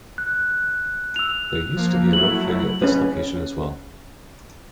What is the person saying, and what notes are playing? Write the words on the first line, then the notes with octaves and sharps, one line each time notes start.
There used to be a rope ferry at this location as well.
F#6
E6 F7
F3 A#3
F#3 A3 E4 F#7
C#4 B4